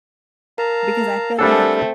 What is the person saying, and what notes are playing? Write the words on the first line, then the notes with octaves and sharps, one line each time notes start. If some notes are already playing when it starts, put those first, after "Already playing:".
because I feel like
A#4 F5 A5 A#5
G3 A3 C4 D4 A4 F#5 G#5 E6